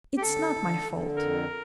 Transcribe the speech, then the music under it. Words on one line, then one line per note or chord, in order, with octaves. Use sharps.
It's not my fault.
G4
D3 A4
D3
D3
F2 A#4